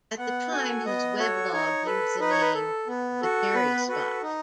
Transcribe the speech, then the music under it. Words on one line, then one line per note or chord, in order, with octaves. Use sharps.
At the time his weblog used the name "The Kerry Spot".
B3 F#5
F#4 A4 G#5
B3 D#5
F#4 A4 C#5
D#4 C#5
A4 B4
D#4 B4
C#5
B4
A4
B3
F#4 A4
B3 B4
F#4 A4 B4
D#4